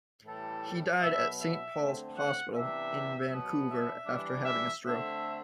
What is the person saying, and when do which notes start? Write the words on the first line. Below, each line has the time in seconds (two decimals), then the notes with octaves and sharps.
He died at Saint Paul's Hospital in Vancouver after having a stroke.
0.23 A2 E3 G3 A4
1.00 B2 F#3 B3 E5
1.39 E5
1.77 D3 A3 C4
2.16 F#5
2.54 C3 E3 B3 D4 E5
3.30 B2 F#3 B3
3.68 E5
4.06 E3 G3 D4
4.45 E5
4.83 D3 A3 C4 E5